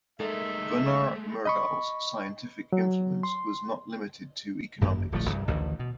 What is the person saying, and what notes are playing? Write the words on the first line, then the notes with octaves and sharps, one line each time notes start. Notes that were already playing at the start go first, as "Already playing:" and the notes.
Gunnar Myrdal's scientific influence was not limited to economics.
G#3 A3 D#4 A4 A#4 E5
D#5 B5 C#6
F#3
C6
G#1 F#2 A#3
D1 A#1 F3 A3
C2 G2
A1 D2 D3 D#3
B2